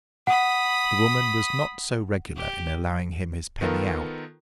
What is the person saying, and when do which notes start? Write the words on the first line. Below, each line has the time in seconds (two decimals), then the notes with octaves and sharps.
The woman was not so regular in allowing him his penny out.
0.27 F#5 B5 D#6
2.36 G4
3.61 D#3 B3 F4 A4 A#4